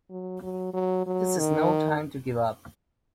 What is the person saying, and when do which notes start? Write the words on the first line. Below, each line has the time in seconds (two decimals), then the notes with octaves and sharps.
This is no time to give up!
0.10 F#3
0.42 F#3
0.74 F#3
1.06 F#3
1.39 D#3